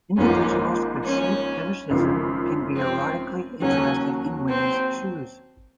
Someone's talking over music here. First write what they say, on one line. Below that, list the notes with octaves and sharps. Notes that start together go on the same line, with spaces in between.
Individuals with shoe fetishism can be erotically interested in women's shoes.
G#1 G#2 F3 A#3 C#4
C#4
G#1 F#2 C#3 F3
C4
D#2 C#3 F#3 C#4
C4